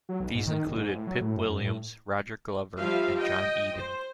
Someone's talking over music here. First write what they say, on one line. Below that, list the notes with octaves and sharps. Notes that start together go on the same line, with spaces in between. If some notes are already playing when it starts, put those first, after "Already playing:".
These included Pip Williams, Roger Glover, and John Eden.
F#3
B1
G#2
D#3
F#1
G#2
A2
F#3
A2
F#2
F#2
A2
F3 G3 F4 E5 F5
D#5 G5
C5